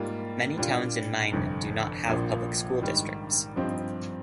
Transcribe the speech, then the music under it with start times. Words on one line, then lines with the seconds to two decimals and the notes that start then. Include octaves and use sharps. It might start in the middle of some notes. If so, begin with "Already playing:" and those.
Many towns in Maine do not have public school districts.
Already playing: G#2 G3 A#3 F4
0.57 A#2 G3 D4 F4
1.32 G1 F2 C3
2.07 A#1 A#2 F3
2.82 G#2 D#3 G3
3.56 G2 F3 C4 D#4 G4